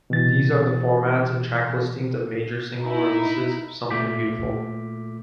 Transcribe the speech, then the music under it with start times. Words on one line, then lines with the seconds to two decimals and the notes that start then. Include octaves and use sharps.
These are the formats and track listings of major single releases of "Something Beautiful".
0.10 B2 E3 A6
2.81 D#4 E4
3.90 A#2 A3 D6 G6 B6